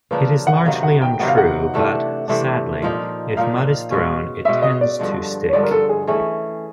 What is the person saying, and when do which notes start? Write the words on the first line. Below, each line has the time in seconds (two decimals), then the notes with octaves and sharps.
It is largely untrue, but, sadly, if mud is thrown it tends to stick.
0.11 C#3 F3 A#3 D4 B4
0.47 F#5
0.65 C3 D#3 F#3 B3 F5
0.83 F#5
1.02 G5
1.19 C3 D#3 F#3 B3 F#5
1.28 F5
1.38 F#5
1.74 C3 E3 A3 D4
2.28 C3 E3 A3 D4
2.82 A#2 F3 A#3 D#4
3.37 A#2 F3 A#3 D#4 F5
3.91 B2 G#3 C#4
4.45 B2 G#3 C#4 E5
4.62 D#5
4.81 D5
4.99 G2 D3 F3 G#3
5.49 C#5
5.53 G2 D3 F3 G#3 D5
5.63 A#4
5.71 A4
5.89 G#4
6.07 E3 A3 C#4 G#4